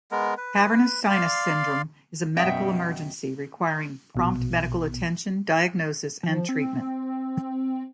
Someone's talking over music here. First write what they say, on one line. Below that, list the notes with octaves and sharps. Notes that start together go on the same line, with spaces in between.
Cavernous sinus syndrome is a medical emergency, requiring prompt medical attention, diagnosis, and treatment.
G#3 B3 A#4
B4
D5 F5 C6
F#2 B2 F#4 E5 F#5 G5 D#6
A#1 B2
F3
C4